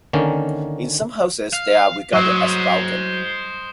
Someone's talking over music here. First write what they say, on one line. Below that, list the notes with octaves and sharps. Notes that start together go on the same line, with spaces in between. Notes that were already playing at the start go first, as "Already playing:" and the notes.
In some houses they are regarded as vulgar.
D3 D#3 A#3 C#4
F5
F#3 C5 D#5